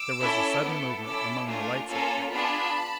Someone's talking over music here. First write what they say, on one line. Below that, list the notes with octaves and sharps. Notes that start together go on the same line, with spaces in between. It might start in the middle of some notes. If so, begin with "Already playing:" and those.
There was a sudden movement among the lights up there.
Already playing: D6 E6
C#4 E4 A4
B3 E4 A4
C#4 E4 A4 D6 E6
A3 D4 F4 G#5 A#5
A#3 C#4 F4 A4 G#5 A#5
B3 D4 F4 G#4 A5 B5